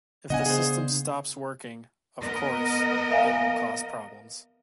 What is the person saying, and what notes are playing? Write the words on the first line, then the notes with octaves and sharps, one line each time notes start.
If the system stops working, of course, it will cause problems.
C#3 B3 D4 D#5 F#5 G#5
G#4 C5
B3 A#4 D#5
E5 F5 G#5